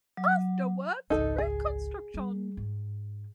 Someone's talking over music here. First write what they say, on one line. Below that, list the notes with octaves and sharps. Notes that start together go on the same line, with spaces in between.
Afterwards - reconstruction.
F#3
G#1 C#2 D#4 A4
G#4
G3
G#2